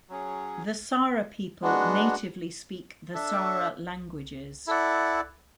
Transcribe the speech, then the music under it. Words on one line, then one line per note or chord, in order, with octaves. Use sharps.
The Sara people natively speak the Sara languages.
F#3 C#4 G#4
G#3 B3 D4 F#4
D4 A4 E5
E4 A4 D5 F#5